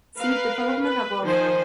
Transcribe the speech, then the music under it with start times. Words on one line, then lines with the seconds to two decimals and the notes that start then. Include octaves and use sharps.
See Development above.
0.16 A#4 B4 F5
0.80 B4
1.23 D#3 F3 D#4 C5 G#5